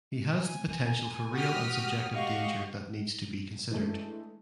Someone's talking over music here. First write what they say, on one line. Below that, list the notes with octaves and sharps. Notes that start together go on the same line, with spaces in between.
He has the potential for real and subjective danger that needs to be considered.
G#5
F#4 G4 D#6 F6 B6
F#4 G4 D#5 F5 C#6
E3 G#3 A3 D4